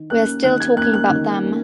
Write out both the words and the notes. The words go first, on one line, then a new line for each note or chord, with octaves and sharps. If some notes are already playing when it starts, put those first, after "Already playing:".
We are still talking about them.
Already playing: D#3
A#3 C#4 F#6
D#3 F#6
G#6
A#3 C#4 F#6
F#6
D#3
A#3 C#4